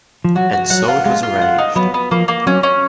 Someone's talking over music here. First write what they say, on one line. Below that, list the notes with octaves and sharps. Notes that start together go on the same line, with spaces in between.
And so it was arranged.
F3
F#3 F#4
F#4
F#3 F#5
F4
G#3 F4
F4
F#5
D#4
F#3 B3
B3
F3 A#3
A#3
F#3 C#4
C#4